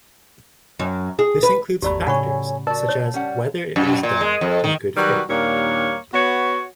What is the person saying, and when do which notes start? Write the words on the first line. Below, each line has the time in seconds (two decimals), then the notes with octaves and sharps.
This includes factors such as whether it was done in good faith.
0.79 F#2
1.19 G#4
1.43 B4
1.82 D1 G#1 E2 F#3 A3 G4 D5 B5
2.07 A2 C#3 C#5 F#5 G#5 B5 C#6
2.67 F#4 A#4 D5 A5
2.89 C#5
3.14 G3 C#4 F#5
3.76 F#2
4.03 A#2
4.21 G#3
4.41 F2
4.64 D#3
4.96 D#3 F#3 G3 F#4 A#4 B4
5.30 D#2 A#2 G3 A#3 D4 C#5
6.14 B3 F#4 C#5